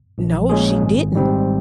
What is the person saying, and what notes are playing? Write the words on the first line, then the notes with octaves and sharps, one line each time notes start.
No, she didn't.
A#1
A#2 G#3 C#4 G#4
G#1
G#2 G3 C4